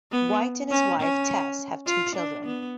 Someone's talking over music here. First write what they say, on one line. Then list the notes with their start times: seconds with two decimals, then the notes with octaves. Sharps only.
White and his wife, Tess, have two children.
0.12 B3
0.71 C#4
1.00 C#4
1.87 F4
2.16 D4
2.46 B3